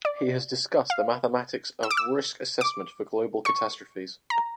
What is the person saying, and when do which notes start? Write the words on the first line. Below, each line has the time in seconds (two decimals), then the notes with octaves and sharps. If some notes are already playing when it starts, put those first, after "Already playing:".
He has discussed the mathematics of risk assessments for global catastrophes.
0.05 D5
0.90 F5
1.83 E6
1.91 D6
1.97 E6
2.61 D6
3.45 C#6
4.30 A#5